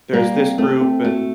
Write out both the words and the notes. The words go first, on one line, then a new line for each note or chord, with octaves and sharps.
"There's this group and"
G3 A#3
C4
A3 C4
C4
A3 F#4